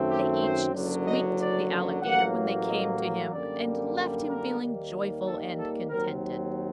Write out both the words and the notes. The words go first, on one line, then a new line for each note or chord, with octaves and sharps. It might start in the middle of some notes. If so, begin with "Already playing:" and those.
They each squeaked the Alligator when they came to him, and left him feeling joyful and contented.
Already playing: F#2 D#3 A3 C4
G4
C5
F#1 F#2 D3 F#3
D#5
D5
A1 A2 F#3 A#3 F#5
D#5
F#2 D3 G3 A#3 D5
A#4
D#2 D#3 G3 A#3
A4
A4
D#2 D#3 F#3 C4 A#4